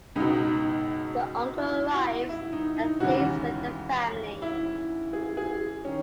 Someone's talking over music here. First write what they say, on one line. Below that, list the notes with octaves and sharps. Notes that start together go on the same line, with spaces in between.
The uncle arrives and stays with the family.
C#2 B2 D#4
E4
F#4
E4
D#4
D#4
E1 D#2 C#3 E3 F#4
E4
G#4
G#4
D#3 C#4